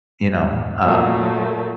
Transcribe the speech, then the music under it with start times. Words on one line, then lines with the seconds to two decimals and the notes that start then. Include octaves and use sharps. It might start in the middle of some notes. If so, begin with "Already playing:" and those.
you know, uh
0.84 A#2 F#3 A3